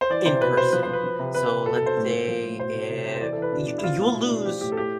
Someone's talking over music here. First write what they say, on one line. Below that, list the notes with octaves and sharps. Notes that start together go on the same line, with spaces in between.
in person. So, let's say if you you'll lose
C5
E3 D5
C3 C5
B2 B4
B2 C5
F3 B4
C5
F3
B4
F3
C3
C3 B4
C3
B2 A4
A4
B2
C5
A2
A2
F3
A2
B2 C5
B2
C3
C3
C5
E3 D5
A4
E3
B4
B2 D4
B2 D4
E4
F3 F4
A2 F4
B2 E4
D4
B2
D4
F3 G4
A2 G4
A4
A2 G4